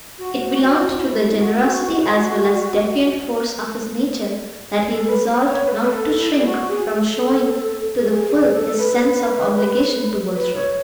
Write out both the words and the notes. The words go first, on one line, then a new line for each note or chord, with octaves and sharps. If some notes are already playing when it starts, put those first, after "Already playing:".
It belonged to the generosity as well as defiant force of his nature that he resolved not to shrink from showing to the full his sense of obligation to Bulstrode.
F#4
E4
F#4
A4
B4
C#5
B4
A4
B4
A4
E4
G#4
F#4
G#4
A4
G#4
G#4
A4
B4
B4
C#5